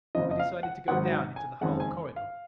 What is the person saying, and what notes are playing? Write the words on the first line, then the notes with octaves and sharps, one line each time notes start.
We decided to go down into the hull corridors.
F#1 F2 F3 D#5
D#5
F5
F#5
G#1 G#2 D#3 F#3 F#5
F#5
G#5
F#1 F2 D#3 G#3 F#5
G#5
F5